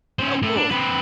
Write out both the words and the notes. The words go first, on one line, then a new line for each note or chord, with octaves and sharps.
Oh, cool.
C#4 C5
A2 A3
D4
C4 B4